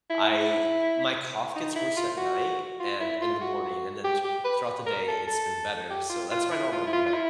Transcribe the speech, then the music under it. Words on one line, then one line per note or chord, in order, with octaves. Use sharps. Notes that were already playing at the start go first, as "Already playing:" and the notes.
I my cough gets worse at night and in the morning. And then th throughout the day, it's been better. So that's why I know I'm on the mend.
E4
D#4
E4
F4
F#4
F4
E4
F4
F#4
G4
G4
B4
A#4
A4
A4
G4
F4
F4
E4
F4
E4
F4
F4
E4